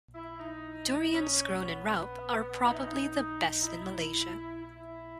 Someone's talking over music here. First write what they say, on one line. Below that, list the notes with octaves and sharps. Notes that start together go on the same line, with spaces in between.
Durians grown in Raub are probably the best in Malaysia.
E4
D#4
C#4
B3
E4
D#4
C#4
D#4
E4
E4